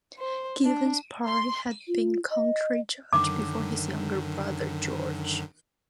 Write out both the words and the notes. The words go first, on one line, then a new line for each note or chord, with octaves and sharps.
Givens Parr had been county judge before his younger brother George.
C5
D4
C6
F4
D#5
F#2 D3 D#3 D6